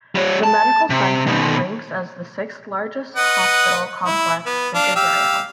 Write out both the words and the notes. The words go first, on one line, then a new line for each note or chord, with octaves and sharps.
The Medical Center ranks as the sixth-largest hospital complex in Israel.
G3 C#5
A5
C3
B2 D#3
B4 D#5 F#5
E4
B3
D4 F5
G4 F5 E6